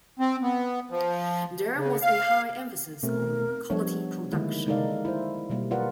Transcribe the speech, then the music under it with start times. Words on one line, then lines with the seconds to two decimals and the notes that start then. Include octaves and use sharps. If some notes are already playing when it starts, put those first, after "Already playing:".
There was a high emphasis on quality production.
0.19 C4
0.43 B3
0.91 F3
1.76 C#3
2.02 F5
3.03 B2 A3 C4 A#4
3.70 F3 G3 B3 D4 C#5
4.32 D3 D#3 G#3 A#3 E4
4.67 G#3 D#4 A4 A#4 D5 F5
5.05 E4 C5
5.50 B2 F#3 G3 A#3
5.71 F4 A#4 B4 D5 F#5